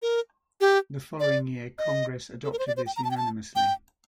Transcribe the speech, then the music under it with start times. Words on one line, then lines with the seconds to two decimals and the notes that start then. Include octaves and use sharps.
The following year Congress adopted this unanimously.
0.02 A#4
0.61 G4
1.20 D5
1.78 D#5
2.44 A4
2.52 A#4
2.59 C5
2.67 D5
2.77 C5
2.86 G5
2.96 A#5
3.04 A5
3.11 G5
3.17 A5
3.56 G5